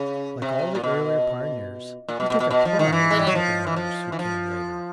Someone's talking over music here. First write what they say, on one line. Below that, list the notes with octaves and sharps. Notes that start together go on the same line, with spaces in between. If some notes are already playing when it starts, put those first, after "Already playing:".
Like all the earlier pioneers, he took a pride in helping others who came later.
Already playing: C#3
C3
A#2
B2
A#2
B2
B2
B2
B2
F3
D#3
E3
G#3
G3
F#3
F3
E3
F3
E3
F3